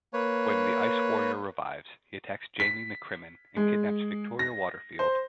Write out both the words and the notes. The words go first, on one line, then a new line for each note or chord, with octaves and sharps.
When the Ice Warrior revives, he attacks Jamie McCrimmon and kidnaps Victoria Waterfield.
A#3 B4 C#5
B6
G#3
A#6
C5